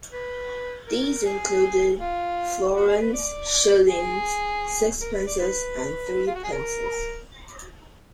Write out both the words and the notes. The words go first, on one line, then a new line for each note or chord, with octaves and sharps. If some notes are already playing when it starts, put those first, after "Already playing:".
These included florins, shillings, sixpences and threepences.
B4
A#4
G#4
F4
F#4
G#4
B4
D5
G#4
A#4
B4
D5
B4
F4
F#4
G#4
A#4